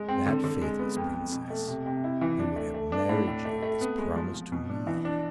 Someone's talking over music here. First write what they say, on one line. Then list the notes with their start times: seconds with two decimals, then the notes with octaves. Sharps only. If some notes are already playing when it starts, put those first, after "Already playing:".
That faithless Princess who would have married you is promised to me.
Already playing: G#3
0.08 C4
0.26 D3
0.44 D3
0.62 G#3
0.79 B3
0.97 F2
1.14 F2
1.32 B2
1.50 A3
1.67 C3
1.86 C3
2.04 E4
2.21 E3
2.39 D4
2.56 A3
2.74 A3
2.92 D4
3.09 A2
3.28 A2
3.45 A3
3.62 A3
3.81 B3
3.98 G#3
4.16 F3
4.34 F3
4.52 B2
4.69 D4
4.87 E3
5.05 D4